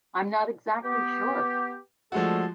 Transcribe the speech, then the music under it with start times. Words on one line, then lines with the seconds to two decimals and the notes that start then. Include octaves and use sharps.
I'm not exactly sure.
0.83 B3 G4
2.12 D3 F3 G#3 A3 F#4 A4